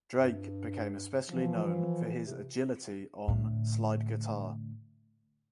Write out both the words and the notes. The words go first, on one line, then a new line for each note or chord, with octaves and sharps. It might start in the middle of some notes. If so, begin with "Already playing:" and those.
Drake became especially known for his agility on slide guitar.
G2
E3 F3
C3
A2 D3